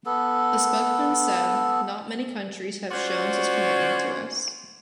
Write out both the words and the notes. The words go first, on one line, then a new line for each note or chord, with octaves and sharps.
The spokesman said that "not many countries have shown such commitment to us".
B3 A4
C#4 F4 F#4 C5 D5